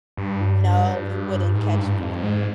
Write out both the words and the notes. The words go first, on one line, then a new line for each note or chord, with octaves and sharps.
No, you wouldn't catch me, no.
G2
G#2
G2
F2
G#2